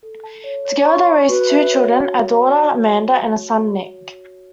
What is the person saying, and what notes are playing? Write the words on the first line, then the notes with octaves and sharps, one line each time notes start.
Together they raised two children, a daughter Amanda and a son Nick.
A4
A5
C#5
C#5
C#6
A5
F#4 B4
E5
C#5
F#4
A5